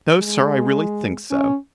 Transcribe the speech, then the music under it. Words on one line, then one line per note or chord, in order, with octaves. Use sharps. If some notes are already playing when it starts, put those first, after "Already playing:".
'No, Sir, I really think so.
G#3
C#4